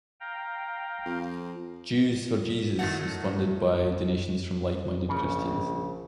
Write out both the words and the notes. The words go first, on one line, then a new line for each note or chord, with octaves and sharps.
Jews for Jesus is funded by donations from like-minded Christians.
F5 G5 A#5
F2
A2 D#3 F#3 A3 F#4
A#1 C#3